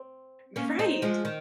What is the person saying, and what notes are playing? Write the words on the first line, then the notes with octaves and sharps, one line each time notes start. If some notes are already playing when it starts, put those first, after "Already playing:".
G F Right.
Already playing: C4
A#3 C#4
C4 D#4
F3 G#3
D#3